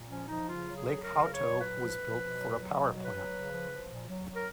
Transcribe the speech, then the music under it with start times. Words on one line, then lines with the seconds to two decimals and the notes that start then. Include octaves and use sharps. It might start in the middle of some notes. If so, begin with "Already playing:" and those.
Lake Hauto was built for a power plant.
Already playing: A#2
0.08 F3 C#4
0.27 F3 D#4
0.46 C#3 F4
0.66 F#3
0.76 G#4
0.85 F#3
1.04 C#3 A#4
1.23 F#3
1.33 C#5
1.42 F#3
1.61 A#2 B4
1.80 F3
1.99 F3
2.18 B2
2.37 F#3
2.56 F#3
2.75 B2
2.94 F#3
3.03 B4
3.13 F#3
3.32 C#3
3.50 F3
3.70 F3
3.88 A#2
4.08 F#3
4.27 F#3
4.35 A#4